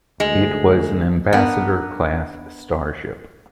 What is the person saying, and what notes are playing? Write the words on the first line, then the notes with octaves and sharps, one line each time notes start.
It was an "Ambassador"-class starship.
D2 G#3
B3 D4 A#4 B4